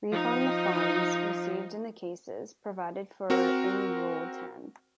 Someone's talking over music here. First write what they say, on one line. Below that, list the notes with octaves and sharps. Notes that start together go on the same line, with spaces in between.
Refund the funds received in the cases provided for in rule ten.
F3 D#4
C4 F#4 A#4